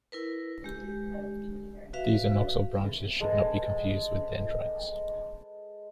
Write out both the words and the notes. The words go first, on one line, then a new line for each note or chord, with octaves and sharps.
These axonal branches should not be confused with dendrites.
E4 A#4 B4
G#3 G4
F#4 B4 E5 F5
G#3 A4 B4 G#5